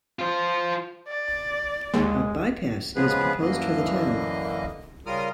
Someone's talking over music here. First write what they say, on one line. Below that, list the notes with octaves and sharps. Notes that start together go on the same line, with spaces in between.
A bypass is proposed for the town.
F4 C5
D5
D#2 G#3
C#3 F3 G#3 B3 G#4 B4
F#2 D3 E3 A#3 D#5
C#3 G3 F4 A#4 D#6 F6